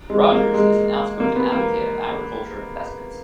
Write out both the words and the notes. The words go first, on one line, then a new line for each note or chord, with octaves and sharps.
Rogers is an outspoken advocate of agriculture investments.
G#3
A#3
G#3
A#3
B3
A#3